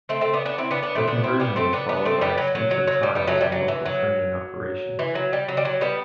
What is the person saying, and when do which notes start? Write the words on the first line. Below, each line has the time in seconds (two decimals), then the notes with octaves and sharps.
The conversion was followed by extensive trials and local training operations.
0.09 A3 C4
0.21 A3 C4
0.33 B3 D4
0.45 B3 D4
0.58 C4 E4
0.71 B3 D4
0.83 B3 D4
0.95 A3 C4
1.07 B3 D4
1.23 C4 E4
1.40 B3 D4
1.56 A3 C4
1.73 B3 D4
1.89 B3 D4
2.05 A3 C4
2.21 G3 B3
2.38 F#3
2.55 F#3
2.71 F#3
2.87 F#3
3.03 G3
3.15 G3 B3
3.27 F#3 A3
3.41 G3
3.52 F#3
3.68 E3
3.86 F#3
4.99 E3
5.15 F#3
5.33 G3
5.48 F#3
5.57 G3
5.65 F#3
5.81 G3 B3